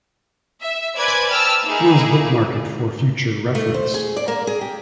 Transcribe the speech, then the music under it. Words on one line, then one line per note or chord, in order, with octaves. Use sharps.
Please bookmark it for future reference.
E5
B4 C5 D5 G#5 G#6
G5 A5 E6 F6
A#3 D#4 E4 G#4
A3
C5
G#4
D5
A#3
G#4
G4